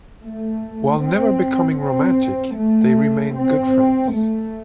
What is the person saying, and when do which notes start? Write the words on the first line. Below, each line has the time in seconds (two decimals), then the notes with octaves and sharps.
While never becoming romantic, they remained good friends.
0.23 A3
1.01 C4
1.79 C4
2.57 A3
3.36 C4
4.13 A3